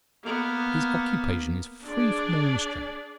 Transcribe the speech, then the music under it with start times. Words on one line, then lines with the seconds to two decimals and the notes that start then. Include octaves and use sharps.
His occupation is free from all restraint.
0.23 A#3 B3
1.85 D4 G#4 D5